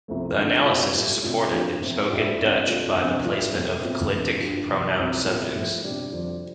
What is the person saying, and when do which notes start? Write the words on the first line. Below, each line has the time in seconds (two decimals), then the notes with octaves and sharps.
The analysis is supported in spoken Dutch by the placement of clitic pronoun subjects.
0.08 C2 C3 F3 A3
0.37 D2 D3 F3 A3 C4
0.65 C3 G3 D4 F4
0.94 A2 G3 F4
1.23 C3 A3 D4 F4
1.52 G2 F3 C4 F4
1.80 A2 F3 C4
2.09 A2 G3 D4 F4
2.38 C2 C3 A3 D4
2.67 C3 A3 D4 F4
2.96 D2 C3 F3 C4
3.25 A2 G3 D4 F4
3.53 F2 C3 A3
3.81 A2 A3 C4 F4
4.11 D2 C3 F3
4.40 G2 G3 F4
4.68 C2 C3 F3 D4 F4
4.96 C2 C3 F3
5.26 A2 G3 C4 F4
5.54 A2 F3 A3
5.83 C3 G3 D4
6.11 F2 D3 F3 D4